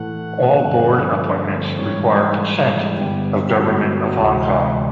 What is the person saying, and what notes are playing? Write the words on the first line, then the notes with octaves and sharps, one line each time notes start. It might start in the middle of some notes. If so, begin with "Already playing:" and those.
All board appointments require consent of Government of Hong Kong.
Already playing: A2 E3 A3 F#5
G2 D3 F3 A3 C4
G#2 E3 G3 C#5
C5
G#4
G2 D3 G3 B3 G4
F#4
D2 C3 E3 G#3